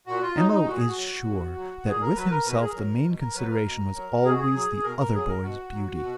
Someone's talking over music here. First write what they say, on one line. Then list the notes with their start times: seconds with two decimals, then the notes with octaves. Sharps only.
M.O. is sure that with himself the main consideration was always the other boy's beauty.
0.07 A#2 F#4
0.22 F4
0.36 F#3 D#4
0.52 D#4
0.66 A#2 F#4
0.77 G#4
0.88 F#4
0.96 F#3
1.26 A#2
1.57 F#3
1.86 A#2 G#4
2.01 A#4
2.15 F#3 B4
2.31 A#4
2.45 B2 B4
2.53 A#4
2.61 G#4
2.69 A#4
2.75 F#3
3.05 B2
3.20 A#4
3.34 F#3 B4
3.50 A#4
3.64 B2
3.95 F#3
4.24 B2 G#4
4.32 F#4
4.39 G#4
4.54 F#3
4.83 B2 A#4
4.99 A#4
5.14 F#3 G#4
5.28 A#4
5.43 B2 F#4
5.73 F#3
6.02 B2